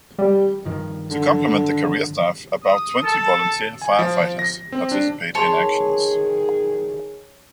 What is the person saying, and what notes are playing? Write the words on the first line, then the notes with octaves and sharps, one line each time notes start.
To complement the career staff, about twenty volunteer firefighters participate in actions.
G3
G2 D#3 F3
D3
D#6
A4 A5
G#5
F3
A#6
C4
D4
D#3 G#4 C#5 A5 C6